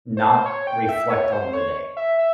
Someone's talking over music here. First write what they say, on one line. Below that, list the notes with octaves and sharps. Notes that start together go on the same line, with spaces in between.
not reflect on the day,
C5
C#5
G5
E5
C#5
C5
C#5
E5
E5